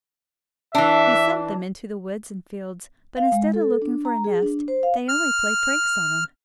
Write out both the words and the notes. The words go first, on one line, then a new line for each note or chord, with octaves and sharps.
He sent them into the woods and fields, but instead of looking for a nest they only played pranks on him.
E3 D4 E5
F5
G#3
A4
D4
A#5
G#4
D4
C5
F5
F6